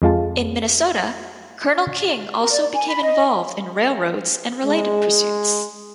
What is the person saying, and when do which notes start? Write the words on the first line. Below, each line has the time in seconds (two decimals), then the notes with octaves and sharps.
In Minnesota, Colonel King also became involved in railroads and related pursuits.
0.02 F2 G#3 F4 A5
2.39 A#4
2.51 D5
2.74 G#5
2.88 B5
3.01 D#5
4.65 G#3